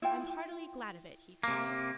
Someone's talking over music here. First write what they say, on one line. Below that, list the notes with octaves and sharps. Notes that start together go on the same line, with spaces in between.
"I am heartily glad of it," he cried.
E4 F4 G5
C3 A#3